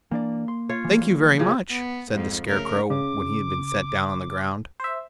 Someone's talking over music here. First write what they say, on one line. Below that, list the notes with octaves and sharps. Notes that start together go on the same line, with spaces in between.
"Thank you very much," said the Scarecrow, when he had been set down on the ground.
E3 A#3 D4 D5
C6
F4 C#5
E3 F3 G3
C#3 F3 G4
B3
F2 G#2
C#3 A3 A#4
C#3 D6
C5 E5